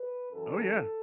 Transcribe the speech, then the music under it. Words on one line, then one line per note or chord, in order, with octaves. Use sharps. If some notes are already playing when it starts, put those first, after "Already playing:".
Oh, yeah.
Already playing: B4
F#2 E3 A4